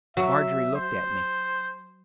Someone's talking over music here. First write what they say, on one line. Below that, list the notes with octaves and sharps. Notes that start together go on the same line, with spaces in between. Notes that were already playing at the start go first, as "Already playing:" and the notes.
Margery looked at me.
F#3 E5
C5